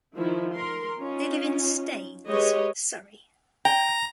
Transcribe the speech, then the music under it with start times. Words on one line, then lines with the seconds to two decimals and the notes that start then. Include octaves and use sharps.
They live in Staines, Surrey.
0.16 D#3 F3 E4
0.54 A#4 C6
0.98 C#4 D#4 F4
2.28 G#3 G4 B4 C#5 D#5
3.65 G5 A#5